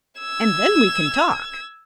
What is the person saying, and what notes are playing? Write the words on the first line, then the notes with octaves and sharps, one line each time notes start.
And then we can talk.
E6 G#6